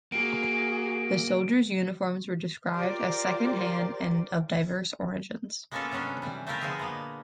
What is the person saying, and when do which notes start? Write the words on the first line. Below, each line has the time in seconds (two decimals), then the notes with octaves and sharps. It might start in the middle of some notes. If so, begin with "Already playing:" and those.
The soldiers' uniforms were described as second-hand and of diverse origins.
0.12 A#3 F#4 G#4 D7
2.73 F4 G4 A#4 C5 D5
5.71 G#3 A#3 B3 C#4 F4 A4
5.91 C3 F#3 B3 C#4 D4
6.22 E3 G3
6.47 A3 C4 E4 F4 G4 A#4
6.61 D3 F3 G#3 B3 G#4
6.79 A#2 A#3 B3